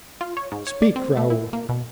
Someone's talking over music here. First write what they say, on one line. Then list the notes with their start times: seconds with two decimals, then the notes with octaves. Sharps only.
"Speak, Raoul."
0.21 F4
0.37 C#5
0.52 G#2
0.67 C#5
0.82 D5
0.96 C4
1.17 A3
1.30 E4
1.53 A#3
1.69 B2